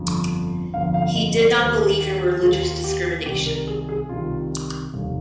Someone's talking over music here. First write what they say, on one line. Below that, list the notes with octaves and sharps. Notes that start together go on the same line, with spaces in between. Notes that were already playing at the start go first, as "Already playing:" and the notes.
He did not believe in religious discrimination.
Already playing: G1 F2 D3 F3
G1 F2 D3 F3 F5
F5
D#5
D5
D#2 D#3 C5
G#4
G4
G4
D#2 D#3 G#4
F4
G4
C2 C3 D#3 G4
A#4
G#4
G#4
C2 C3 D#3 F4
F1 D#2 D#3